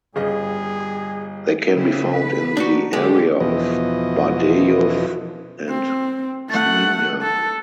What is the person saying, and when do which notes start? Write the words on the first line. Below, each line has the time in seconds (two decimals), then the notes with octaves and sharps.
They can be found in the area of Bardejov and Snina.
0.16 G1 C#3 G3 G#4 D#5
1.73 C#3 C4 E4
2.11 B4
2.57 D4 D#4 F#4
2.93 D3 G#3 G4
3.40 E2 B2 E3 F3 D#5
5.68 C4
6.50 A3 F#5
7.23 A4